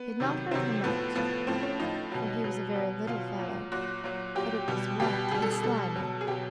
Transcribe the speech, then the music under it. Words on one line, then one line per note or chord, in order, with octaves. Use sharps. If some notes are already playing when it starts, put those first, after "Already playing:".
It did not hurt her much, for he was a very little fellow, but it was wet and slimy.
Already playing: B3
C3 D#3 F#3
C3 D#3 F#3 C4
A2 F3 B3
A2 F3 B3
A2 F3 C4
C#4
A2 F3 D#4
B2 F#3
B2 F#3
B2 F#3
B2 F#3 F4
A#2 F#3
A#2 F#3 F#4
A#2 F#3
A#2 F#3 G4
B2 G3
B2 G3 G4
B2 G3 G#4
A4
G#4
B2 G3 A4
B2 F#3
G#4
B2 F#3 G4